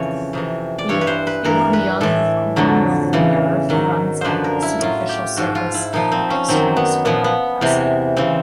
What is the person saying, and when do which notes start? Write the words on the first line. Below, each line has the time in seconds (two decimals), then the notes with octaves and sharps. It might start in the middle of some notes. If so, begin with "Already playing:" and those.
The ilioinguinal nerve runs on the superficial surface of the external spermatic fascia.
Already playing: F2 C#3 E3 C#5
0.33 F2 C3 E3
0.78 D5
0.89 G2 E3 C#5
1.01 B4
1.07 C5
1.27 B4
1.44 G2 E3 A#4
1.73 B4
2.01 A2 E3 A4
2.56 F2 D3 F#3
3.13 E2 C#3 E3
3.69 G#2 D#3 F#3
4.21 F#2 D3 F3 B4 C5
4.44 A#4
4.62 E4
4.79 A2 F#3 F4
5.09 G4
5.36 G#2 F3 F#4
5.55 F4
5.74 E4
5.93 A#2 F3 D#4
6.12 C4
6.30 C#4
6.48 F#2 D#3 F#3 C4
6.76 B3
7.05 A#2 F3 B3
7.24 B3
7.61 E2 C3 E3
8.17 C#3 E3 C4